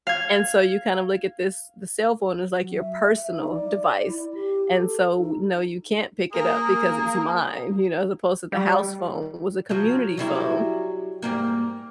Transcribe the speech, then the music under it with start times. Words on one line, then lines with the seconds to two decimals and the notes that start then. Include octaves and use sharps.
And so, you kind of look at this the cell phone as like your personal device, and so, w no, you can't pick it up because it's mine, you know, as opposed to the house phone was a community phone.
0.07 F5 G#6
2.59 F#3
2.79 E5
3.37 D#4
3.49 D5
4.08 E4
4.34 G4
4.76 A4
5.18 D#4
6.33 A#3 G#4 A#4
8.52 G3
9.69 F3 F#3
10.17 F#3 G3 E4
11.22 G#2 G3 A#3